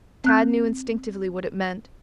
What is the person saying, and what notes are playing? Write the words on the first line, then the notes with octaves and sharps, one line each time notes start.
Tad knew instinctively what it meant.
C4 F#6 G6